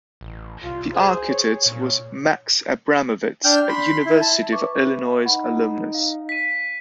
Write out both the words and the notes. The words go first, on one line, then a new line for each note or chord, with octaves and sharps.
The architect was Max Abramovitz, a University of Illinois alumnus.
A1
C2 F4
G#4 C5
C#5
A#2 C#5
D4 G5 F6 G6
B5 C6
E4
A5
B4 E5 C#6 D6
D#4 F#5 B5
F5
B6 D#7